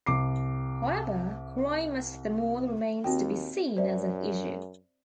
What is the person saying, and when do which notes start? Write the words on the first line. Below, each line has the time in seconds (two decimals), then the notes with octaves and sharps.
However, crime at the mall remains to be seen as an issue.
0.06 C2 D6 C7
3.04 D#2 C4 F#4 G5
3.77 F#2 C5 D5 E5